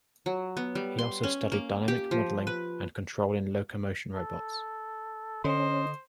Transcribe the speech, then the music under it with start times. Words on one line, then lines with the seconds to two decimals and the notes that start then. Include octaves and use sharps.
He also studied dynamic modeling and control in locomotion robots.
0.26 F#3
0.57 B3
0.75 G3
0.99 C6
1.23 C#4
1.52 A#3
1.88 G4
2.11 F3
2.47 B4
4.15 A4
5.44 D3 C#4 C5 D#5